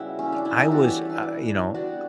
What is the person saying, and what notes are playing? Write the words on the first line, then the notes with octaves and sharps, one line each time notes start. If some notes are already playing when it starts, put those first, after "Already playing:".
e I was, uh, you know,
Already playing: C#3 G3 B3 E4 F#4
C#4
D4
C#4 E4
E4 G4
E3 G3 B3 F#4 A4
G4 B4
C#4 E4
D4
D4
D3 G3 B3 D4 F#4